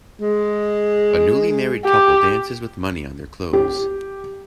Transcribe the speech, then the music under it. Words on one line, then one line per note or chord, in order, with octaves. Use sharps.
A newly married couple dances with money on their clothes.
G#3
G4
G4